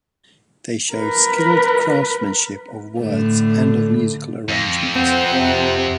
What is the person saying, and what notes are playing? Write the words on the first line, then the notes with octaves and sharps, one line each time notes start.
They show skilled craftsmanship of words and of musical arrangement.
A#4 B4
A2 D3 A3
F2
C4 F#5
C3